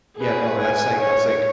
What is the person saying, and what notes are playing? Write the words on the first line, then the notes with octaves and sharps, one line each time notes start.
Yeah, no, that's, like that's, like,
G#4 B4
G#5
C#5